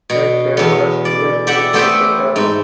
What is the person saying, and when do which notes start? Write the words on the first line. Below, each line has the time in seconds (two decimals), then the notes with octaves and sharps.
Her trade was Liverpool–Calcutta.
0.10 B2
0.57 E2 B3
1.05 D5
1.47 G4 D5 E5 F#5
1.73 A3 B3 G4 C5 E5 G5
2.36 G#2